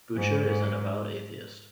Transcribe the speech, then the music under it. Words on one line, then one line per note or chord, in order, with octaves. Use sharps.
Boucher is an avowed atheist.
G#2
G#2